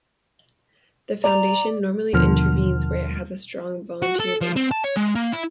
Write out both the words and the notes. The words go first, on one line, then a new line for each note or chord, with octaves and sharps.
The Foundation normally intervenes where it has a strong volunteer base.
D5 A#5
D#2 B2 D3 F3 F6
F#4
A4
F3
C4
A5
C#5
G#3
A#3
E4